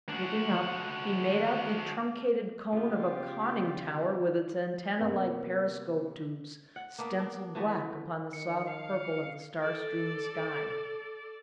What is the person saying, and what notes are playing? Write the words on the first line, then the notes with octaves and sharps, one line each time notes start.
Looking up, he made out the truncated cone of a conning tower with its antennae-like periscope tubes stencilled black upon the soft purple of the star-strewn sky.
D4 F#4
C#3 B3 F4 G4 D5
C3 A#3 B3
F#5
A#3 B3 D4
D4
E3 A3 B3
D#3 C#7
F5
A4 D5